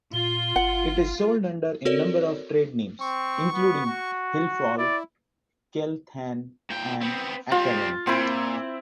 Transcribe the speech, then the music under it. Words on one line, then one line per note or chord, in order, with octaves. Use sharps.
It is sold under a number of trade names, including "Hilfol", "Kelthane" and "Acarin".
A#2 F4 G7
G1 F#5
C4 F#4 A4 A#4 C#5 D5
C4 C#6
B3
F#4
E4 D5
A#2 G5
B3 C4
G3 C4 F4
A#2 C4 E4